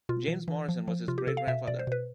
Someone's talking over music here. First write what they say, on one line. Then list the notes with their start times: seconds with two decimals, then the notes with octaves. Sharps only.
James Morrison was his great-grandfather.
0.09 B2 F4
0.28 E3
0.48 E3
0.68 F3
0.88 F3
1.08 C3 F4
1.18 G4
1.27 C3 A4
1.37 F5
1.47 B2 E5
1.67 B2 D5
1.79 C5
1.87 B2 B4